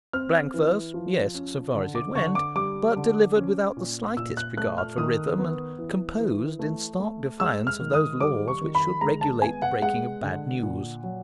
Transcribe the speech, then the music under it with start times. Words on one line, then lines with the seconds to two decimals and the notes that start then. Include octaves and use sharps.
Blank verse, yes, so far as it went; but delivered without the slightest regard for rhythm, and composed in stark defiance of those laws which should regulate the breaking of bad news.
0.13 C4 F6
0.54 E3
0.94 F3
1.34 C#4
1.75 D3
1.95 D6
2.15 D3 C#6
2.35 D6
2.56 G3 D6
2.96 D3
3.36 C#4
3.77 A#2
4.17 A#2 E6
4.37 F#6
4.57 A3 F#6
4.78 F6
4.98 D#3 D#6
5.38 B3
5.79 E3
6.19 E3
6.59 A3
7.00 A3
7.40 G#3 E6
7.67 F6
7.81 D#3
7.94 D#6
8.20 G3 D6
8.48 C#6
8.61 D#3
8.75 B5
9.01 G#3 A#5
9.21 A5
9.42 B3 G#5
9.62 F#5
9.82 G#3 F#5
10.23 D3
10.63 A#2
11.03 F#3